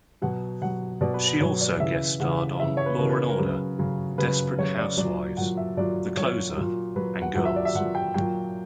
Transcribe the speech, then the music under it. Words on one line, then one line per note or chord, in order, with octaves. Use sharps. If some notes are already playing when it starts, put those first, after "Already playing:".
She also guest-starred on "Law and Order", "Desperate Housewives", "The Closer", and "Girls".
B2 F#3 F#5
B2 F#3 F#5
B2 F#3 D5
B4
B4
B2 F#3 C#5
D5
C#3 E3 E5
C#3 E3 F#5
C#3 E3 E5
C#5
B4
C#3 E3 A#4
B4
A#4
C#3 F#3 B4
C#3 F#3
C#3 F#3 B4
C#3 F#3 C#5
D5
A#2 F#3 D5
A#2 F#3 F#5
E5
A#2 F#3 D5
A#2 F#3 C#5
A#2 F#3
A#2 F#3 B4
F#5
A#2 F#3 F#5
E5
D5
E5
A#2 F#5
F#3
G5
A#2 F#3 G5